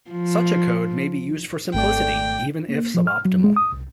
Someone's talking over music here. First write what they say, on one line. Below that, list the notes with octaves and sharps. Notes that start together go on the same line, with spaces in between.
Such a code may be used for simplicity, even if suboptimal.
F3
G#1 A3 D5 G5
A#3
F3
F6
F#3
G#3
D#6
C2